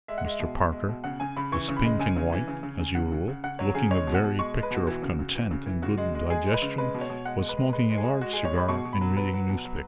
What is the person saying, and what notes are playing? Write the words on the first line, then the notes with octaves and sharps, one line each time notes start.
Mr. Parker, as pink-and-white as usual, looking the very picture of content and good digestion, was smoking a large cigar and reading a newspaper.
G#3 E5
F#5
G#3 E5
B2
B2
G#3
B2
C#3 F#5
C#3 G#5
C#3 B5
E3 C#6
C#3
B5
G#3
C#3 G#5
C#3
E3
C#3
C#3
C#3
C#3 F#5
C#3
C#3
C#3 F#5
F#3 C#5
C#3 G#4
G#3 C#5
B2
F#5
B2
G#3 C#6
G#3
B4
B2 F#4
E3 F#4
C#3
C#3
E3
C#3
E3
C#3 F#4
G#3
G#3
G#3 G#4
G#3
B4
C#3
G#3 B4
B2
C#5
B2
G#3 F#5
G#3
B4
G#3
G#3 B4
G#3
G#4
G#3
G#3 F#4
G#3 G#4
C#5
G#3 B5
B2 C#6
B2
B5
F#3
F#3 B4
F#3
B2
F#3